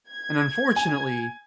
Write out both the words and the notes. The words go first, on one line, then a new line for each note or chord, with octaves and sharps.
and unfortunately,
G#6
G#5